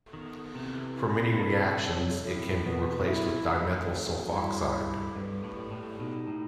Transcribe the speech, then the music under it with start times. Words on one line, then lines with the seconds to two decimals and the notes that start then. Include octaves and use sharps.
For many reactions, it can be replaced with dimethyl sulfoxide.
0.13 D#3 B3
0.55 C3 E3
0.97 E4
1.39 A4
1.81 F#3
2.23 A2
2.65 B2 B3
3.07 E4
3.49 D#3 A3
3.91 F#3
4.31 G2 E4
4.74 G4
5.15 G2 B3
5.44 A2
5.57 G3
5.72 A2
6.00 B2 D#4
6.27 A2